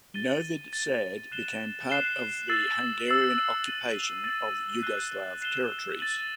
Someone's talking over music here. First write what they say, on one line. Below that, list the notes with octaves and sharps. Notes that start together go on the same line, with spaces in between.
Novi Sad became part of the Hungarian occupation of Yugoslav territories.
A6 D#7 G7
A6 D#7 G7
F#6 C7 E7 G7
F#6 C7 E7 G7
E6 A6 C7 F#7
E6 A6 C7 F#7
A6 D#7 F#7
A6 D#7 F#7
F#6 C7 E7 G7
F#6 C7 E7 G7
A6 D#7 F#7